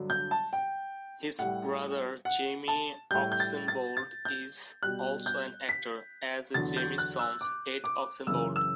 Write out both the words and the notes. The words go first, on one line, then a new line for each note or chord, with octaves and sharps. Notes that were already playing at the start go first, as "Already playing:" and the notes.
His brother Jamie Oxenbould is also an actor, as is Jamie's son, Ed Oxenbould.
Already playing: G2 D3 F#3
G6
A5
G5
A2 G3 F#5
F#5
A5
A2 G3 G6
G6
A6
A6
A6
G6
B2 G3 F#6
G6
B6
E2 D3 F#3 A6
G6
F#6
E6
D6
D6
F#2 C#3 E3 E6
E6